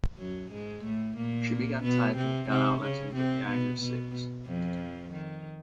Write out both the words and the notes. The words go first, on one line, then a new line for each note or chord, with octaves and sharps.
She began taking piano lessons at the age of six.
F#2 F#3
G#2 G#3
A2 A3
A#2 A#3
B2 B3
C3 C4
C3 C4
C#3 C#4
C3 C4
B2 B3
B2 B3
F2 F3
D#3